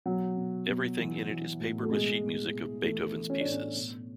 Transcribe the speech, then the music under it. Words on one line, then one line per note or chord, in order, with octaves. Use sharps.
Everything in it is papered with sheet music of Beethoven's pieces.
B2 F#3
B2
B2
E3
E3
A2
A3
B2 G#3
B2
B2
E3 A3
E3
C#4
A2 D4
C#4
B2